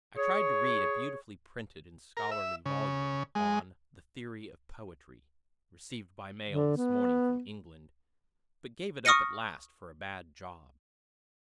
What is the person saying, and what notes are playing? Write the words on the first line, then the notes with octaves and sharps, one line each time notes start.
I tried to read a beautifully printed and scholarly volume on "the Theory of Poetry," received by mail this morning from England--but gave it up at last for a bad job.
G#4 C#5
A#4
E5
C#3
G#3
D3
B3
C#6 D#6 F6 A#6 C#7 D#7